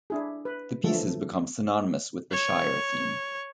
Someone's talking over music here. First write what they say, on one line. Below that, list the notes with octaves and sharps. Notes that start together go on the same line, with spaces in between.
The piece has become synonymous with the Shire theme.
D4 E4 G#4
B4
D3 E3 F3 A3 A4
C#5